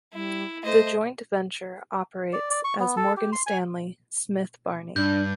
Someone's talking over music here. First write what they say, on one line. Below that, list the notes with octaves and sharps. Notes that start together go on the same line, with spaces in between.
The joint venture operates as Morgan Stanley Smith Barney.
G3 E4
A3 C5 D#5
D5
D5
C#6
B3
A4
G4
C6
G#5
G2 D4 G6